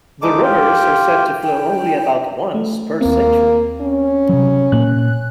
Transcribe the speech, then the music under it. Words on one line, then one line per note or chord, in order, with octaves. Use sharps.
The rivers are said to flow only about once per century.
G#3 D4 D#4 D6
F4 G4 G5
G5
A3
D#2 A#3 C4
C#4
C3 F#3
A#2 A#3 F#6